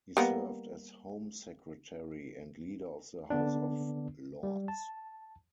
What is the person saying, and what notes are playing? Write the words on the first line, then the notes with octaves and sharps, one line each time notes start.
He served as Home Secretary and Leader of the House of Lords.
G3 A#3 B3
D3 B3 D4
G3
A5